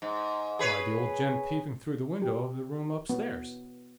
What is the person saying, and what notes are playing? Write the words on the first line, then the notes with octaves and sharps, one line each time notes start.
'Why the old gent peeping through the window of the room upstairs?'
G#2
G#4 B4 C#5
G4
B3